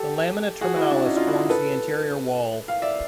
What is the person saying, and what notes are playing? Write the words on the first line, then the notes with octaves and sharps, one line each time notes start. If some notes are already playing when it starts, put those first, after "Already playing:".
The lamina terminalis forms the anterior wall.
Already playing: G4 A4
F#4 G#4
E4 F#4
D4
C#4 D#4
D#4 F4
E4 F#4
A4 B4
F5
D5 E5